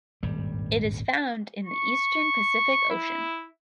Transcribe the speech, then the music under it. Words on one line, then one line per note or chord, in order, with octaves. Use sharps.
It is found in the eastern Pacific Ocean.
D#1 G#1 G2 G3
C#6
E4